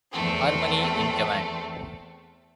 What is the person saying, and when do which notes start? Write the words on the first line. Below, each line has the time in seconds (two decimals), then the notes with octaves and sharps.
Harmony in command.
0.11 E2 A3 C4